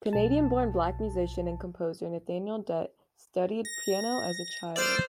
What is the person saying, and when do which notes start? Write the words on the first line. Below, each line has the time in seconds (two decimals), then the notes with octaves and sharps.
Canadian-born Black musician and composer Nathaniel Dett studied piano as a child.
0.13 B1 A5
3.65 A#6
4.76 C5 D5 E6 F6